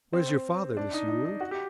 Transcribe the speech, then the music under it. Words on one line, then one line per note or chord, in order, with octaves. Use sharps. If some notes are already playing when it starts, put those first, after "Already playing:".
'Where's your father, Miss Yule?'
C4
D4
D#4
D#4
D#4
F#4
G4